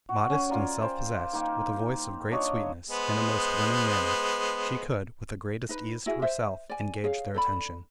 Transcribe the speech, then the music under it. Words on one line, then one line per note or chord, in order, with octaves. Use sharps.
Modest and self-possessed, with a voice of great sweetness, and a most winning manner, she could, with the greatest ease to herself, engage their attention.
F#4
C#4 G#5
F4 A#4 D5
C5 G5
D#3 A#3
D4 F4 C#5 D#5
G#3 B3 C5
D#4 B4
E4 F#4 G#4 E5
C5 E5
D5 G#5
G#4 C#5 F5
A4 D5 B5